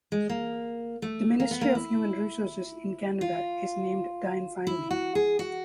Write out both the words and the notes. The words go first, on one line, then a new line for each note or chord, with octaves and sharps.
The Minister of Human Resources in Canada is named Diane Finely.
G#3
A#3
A3
A#3
B3
A#3
E4
F4
E4
F#4
G#4
F#4